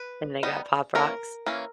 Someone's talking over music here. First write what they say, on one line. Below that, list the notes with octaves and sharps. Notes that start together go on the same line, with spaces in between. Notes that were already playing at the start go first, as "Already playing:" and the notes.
And they got Pop Rocks.
Already playing: B4
G3 B3 D#4
E3 A#3 C#4 A#4
E3 A#3 C#4